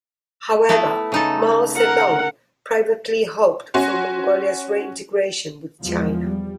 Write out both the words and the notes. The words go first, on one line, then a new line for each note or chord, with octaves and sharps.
However, Mao Zedong privately hoped for Mongolia's reintegration with China.
A3 B3 E4
C#3 D#4 A4
A#4 F#5
C#4 F#4 G#5 C6
E2 F3 G#3
G3